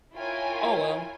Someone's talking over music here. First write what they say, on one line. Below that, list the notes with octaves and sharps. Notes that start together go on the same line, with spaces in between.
Oh, well,
E4 F4 A#4 C#5 G5 G#5